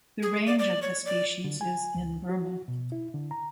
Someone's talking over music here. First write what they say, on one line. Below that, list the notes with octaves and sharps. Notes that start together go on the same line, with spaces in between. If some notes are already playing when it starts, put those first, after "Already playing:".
The range of the species is in Burma.
G#4
D5
D5
C#5
D5
D3
G#5
C#2
F#4
B2
E4
D3
A#5